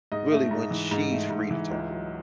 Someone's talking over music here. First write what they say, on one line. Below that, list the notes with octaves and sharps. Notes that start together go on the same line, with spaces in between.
really, when she's free to talk.
G#2 D#5
A3
G#2
E3
G#2
A3
G#2
E3
C#2
F#3